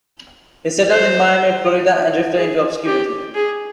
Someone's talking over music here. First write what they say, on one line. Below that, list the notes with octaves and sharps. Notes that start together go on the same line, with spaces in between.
He settled in Miami, Florida and drifted into obscurity.
C5
G#4
G4
G#4